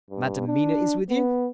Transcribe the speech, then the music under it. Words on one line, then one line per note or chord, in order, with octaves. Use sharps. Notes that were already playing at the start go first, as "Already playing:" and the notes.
Madam Mina is with you?
G2
D4
B3